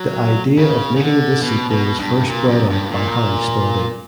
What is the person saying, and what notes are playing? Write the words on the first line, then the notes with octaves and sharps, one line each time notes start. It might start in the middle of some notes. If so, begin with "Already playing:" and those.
The idea of making this sequel was first brought out by Harry Spalding.
Already playing: F#3
C#3
C#3
D3
B2
B2
G2
A#2
F#2
G2
A#2